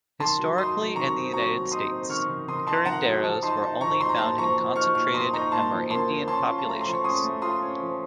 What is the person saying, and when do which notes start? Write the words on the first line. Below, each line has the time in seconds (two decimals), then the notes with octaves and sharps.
Historically, in the United States, curanderos were only found in concentrated Amerindian populations.
0.20 D#3 A5 C6
0.39 F#3
0.58 D#4 C6 D#6
0.77 F#3
0.96 D#3 A#5 C#6
1.15 C4
1.33 F#3 A#5 C#6
1.53 F#3
1.72 D#4 C6 D#6
1.91 C4
2.10 D#3 C#6 F6
2.29 D#3
2.48 D#3 C6 D#6
2.67 D#4 A5 C6
2.85 D#3 F#5 A#5
3.05 F#3 F#5
3.24 F3 A5
3.43 D#4 A5 C6
3.61 D#4 A5
3.81 F3 A#5 C#6
4.01 D#4 C6
4.09 A#5
4.17 A#2 A5 C6
4.38 F3 A#5 C#6
4.58 F3
4.76 D#4 C#6 F6
4.95 A#2 C#6 F6
5.14 F3 C6 D#6
5.33 D#4 A#5 C#6
5.52 A#2 A5 C6
5.71 F3
5.90 A#3 A5 C6
6.09 F3
6.28 C#4 A5 C6
6.47 F4
6.58 A5
6.66 A3 A#5
6.81 F3 C6
6.93 C#6
7.04 C#4 C6 D#6
7.23 A3
7.42 F4 C6 D#6
7.62 C#4
7.80 F3